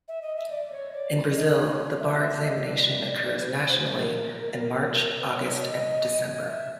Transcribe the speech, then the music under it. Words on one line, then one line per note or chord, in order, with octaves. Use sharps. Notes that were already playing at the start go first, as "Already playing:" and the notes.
In Brazil, the bar examination occurs nationally in March, August and December.
E5
D#5
E5
D5
C#5
D5
D#5
E5
E5
D#5
D5
B4
C5
C5
B4
A#4
B4
C#5
D5
D#5
F5
E5